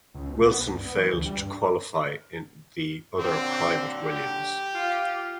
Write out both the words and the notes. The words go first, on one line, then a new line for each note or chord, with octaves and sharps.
Wilson failed to qualify in the other private Williams.
C#2
B1
B3
C2
G2
B3
E3
D2
G3
G2
A#2 D3 F#3 C4
G4
F4 F5